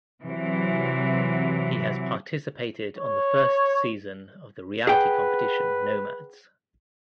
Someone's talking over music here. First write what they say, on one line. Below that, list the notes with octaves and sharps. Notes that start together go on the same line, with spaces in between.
He has participated on the first season of the reality competition "Nomads".
C3 E3 F#3
C#5
G#4 B4 F#5 G5